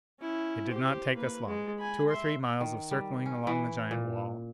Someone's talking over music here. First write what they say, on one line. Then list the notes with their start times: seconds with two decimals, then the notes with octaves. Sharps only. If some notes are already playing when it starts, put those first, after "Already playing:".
It did not take us long--two or three miles of circling along the giant wall.
0.20 C#4 E4
0.68 G4 C5
1.15 A#3 B4
1.46 G#3
1.78 G#5 B5
2.09 E5 C6
2.61 D#3
2.91 G3
3.26 C#4
3.47 E3
3.91 A#2